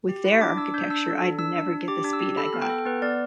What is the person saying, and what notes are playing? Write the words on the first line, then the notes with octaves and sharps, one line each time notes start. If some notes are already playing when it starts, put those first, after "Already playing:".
With their architecture I'd never get the speed I got.
G4
E4
D4 D6
D4 E6
D4 G6
D4 E6
A4
D4
D4 E6
D4
D4
G4 D6
D4
E6
G4
A4 B5
B3
G5
A4
B3 B4
B3 D5